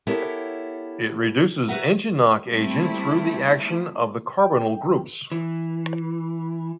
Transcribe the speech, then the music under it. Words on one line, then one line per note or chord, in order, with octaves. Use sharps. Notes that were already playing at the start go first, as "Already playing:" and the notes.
It reduces engine knock agent through the action of the carbonyl groups.
B3 E4 G4 A4 A#4 C#5
F#4 B4 E5 F#5 A#5
G3 A3 A#3 C4 E4
G5
E3